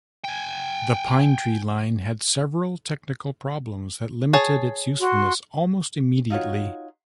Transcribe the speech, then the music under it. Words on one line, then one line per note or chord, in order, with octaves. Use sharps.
The Pinetree Line had several technical problems that limited its usefulness almost immediately.
G5 G#5
G#4 C#5 A5
F#4 C6
D#4 F4 F#4 C#5